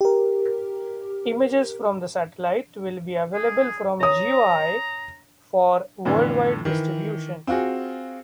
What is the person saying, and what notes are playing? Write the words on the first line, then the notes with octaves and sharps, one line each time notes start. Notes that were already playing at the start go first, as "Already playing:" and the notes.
Images from the satellite will be available from GeoEye for worldwide distribution.
G4 A#4
G#4
C#5 A#5 D#6
F2 A2 D3 E3
D#3 E3
C4 F4 F#4 G#4